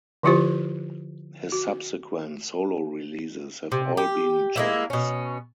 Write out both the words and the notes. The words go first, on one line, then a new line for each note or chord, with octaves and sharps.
His subsequent solo releases have all been jazz.
D3 F3 E4 F4 G4 C5
F#4
C3
G4
G#3 A#3 E4
B2 C#4